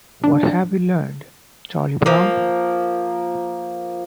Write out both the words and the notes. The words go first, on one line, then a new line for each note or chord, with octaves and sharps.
What Have We Learned, Charlie Brown?
D4
F3 A#3